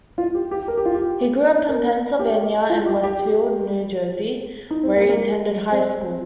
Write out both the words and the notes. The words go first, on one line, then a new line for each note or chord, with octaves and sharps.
He grew up in Pennsylvania and Westfield, New Jersey, where he attended high school.
F4
G4
G4
A#4
G4
F4
G4
A#4
G4
F4
G4
G4
G4
D#4
C4
A#3
A#3
C4